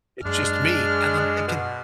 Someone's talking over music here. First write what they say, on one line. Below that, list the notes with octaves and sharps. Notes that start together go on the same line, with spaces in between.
It's just me," and I'm thinking,
F#2 G#3 D4 F6
B2